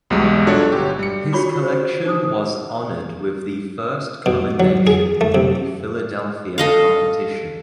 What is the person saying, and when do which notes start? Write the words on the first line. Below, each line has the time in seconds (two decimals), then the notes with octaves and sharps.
His collection was honored with the first commendation in the Philadelphia competition.
0.10 B1 E2 B2 G3 G#3
0.47 D4 F4 F#4 A4 C#5
0.72 G1 G4
0.99 G3 C#7
1.33 F4 F#4 C#5 B5 C#6 D6
1.63 C5
2.06 D#4 C5 D6 D#6
4.26 B2
4.60 F#3
4.87 G#4
5.21 A3
5.35 C3
6.58 A4 D#5 F5